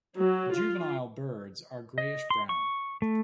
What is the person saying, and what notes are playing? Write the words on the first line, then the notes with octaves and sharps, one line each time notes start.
Juvenile birds are greyish brown.
F#3
F4
D#5
C6
C#6
A3